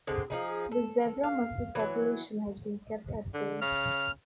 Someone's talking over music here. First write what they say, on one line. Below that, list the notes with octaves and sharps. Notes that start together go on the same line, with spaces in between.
The zebra mussel population has been kept at bay.
D3 G#3 C4
F3 D#4 G#4
A4
F5
E3 F#3
D3
C#3 F6